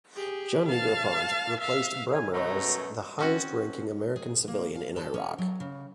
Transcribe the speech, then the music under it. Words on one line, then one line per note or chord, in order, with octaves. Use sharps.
John Negroponte replaced Bremer as the highest-ranking American civilian in Iraq.
G4 G#4
F5 A5
E5 F5
G#5
F#2 B2 A3 A#5
C4 C#4 F#4
G#4
A#3
F5
A4
C#4
F#3
C#3